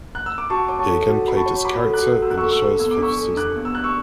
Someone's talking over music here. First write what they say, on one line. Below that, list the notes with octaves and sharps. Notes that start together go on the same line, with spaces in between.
He again played this character in the shows fifth season.
F#6
E6
D6
F#4 A5 C#6
C#5 D6
A5 C#6
A4
F#4
F#4 B5
A5 C#6
C#5
C#6
F#4 B5 D6
A4
D6 F#6
F#4
F#4 E6
F#6
C#6 E6
A4
C#6 E6
A4
B3 E6
D6
D4 C#6 E6
A4
D4 D6 F#6
B3
E6
D4 F#6
C#6 E6